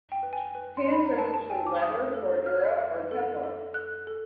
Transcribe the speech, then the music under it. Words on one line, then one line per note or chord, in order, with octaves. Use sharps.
Pants are usually leather, cordura, or Kevlar.
G5
B4
G#5
B4
C6
D#5 B5
A#5
B4 A5
A5
G5 G#5
D6
F5 D#6
A4
F5 F6
F5
A4
A4
A4 F#6
A4